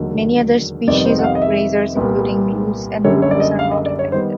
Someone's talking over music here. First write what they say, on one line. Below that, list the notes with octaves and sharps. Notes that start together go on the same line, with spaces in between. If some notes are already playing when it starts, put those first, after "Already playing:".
Many other species of grazers, including mules and burros, are not affected.
Already playing: E1 D#2 D3 F#3
F2 C3 D#3 G3 B3 D5
C5
F#5
F5
D#5
E5
C2 A#2 G3 B3
F#1 F#2 D3 G3 C#5
C#5
D5
D#5
F5
D#5
D5
C#5
D#3 G3 B3 C5